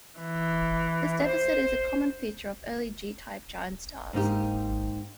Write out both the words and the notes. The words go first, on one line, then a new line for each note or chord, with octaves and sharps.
This deficit is a common feature of early G-type giant stars.
E3
C5
G#2 A#3 D#4 G4